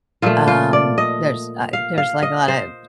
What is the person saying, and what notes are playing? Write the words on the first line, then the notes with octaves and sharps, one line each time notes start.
Um, there's, uh there's, like, a lot of,
A#2 F3 A3 F4
F4
D5
D#5
F5
F5
D#5
C5